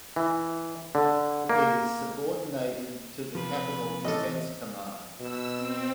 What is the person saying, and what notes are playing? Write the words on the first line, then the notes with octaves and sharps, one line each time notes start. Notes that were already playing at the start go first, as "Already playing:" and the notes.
It is subordinated to the Capital Defense Command.
E3
D3
A#3
C3 F3 B4
A1 A4 D#5
B2 E6
C4